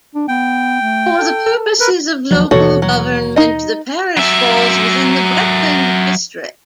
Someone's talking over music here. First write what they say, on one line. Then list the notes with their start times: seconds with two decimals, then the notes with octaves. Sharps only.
For the purposes of local government, the parish falls within the Breckland district.
0.15 D4
0.28 B3 G5
0.81 A3
1.18 A4
1.80 A#4 B4
2.31 D#2 F3 F#3
2.51 D#2 B2 E3 F#4 A4 C#5
2.82 F#3
3.36 D#4 D#5
4.17 F#3 E5